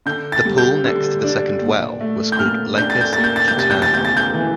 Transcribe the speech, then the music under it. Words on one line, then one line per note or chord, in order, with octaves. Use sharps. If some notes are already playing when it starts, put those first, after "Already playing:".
The pool next to the second well was called Lacus Juturnae.
D3 G6
A6
G3
G6
D3
D4
A#2
A3
G6
A#2 F6
D4 G6
A6
G6
A#3 A6
G6
A6
G6
C3 A6
G6
A6
E2 G6
A6
G6
E3